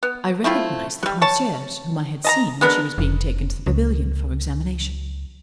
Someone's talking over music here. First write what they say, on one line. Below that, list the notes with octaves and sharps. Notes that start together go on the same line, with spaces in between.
I recognised the concierge, whom I had seen when she was being taken to the pavilion for examination.
B3
A3 C4 E4 F4
F#3 G3
C#5 A5
D#5 A5 A#5
G#3 B3 D4 A#4
F1
C#2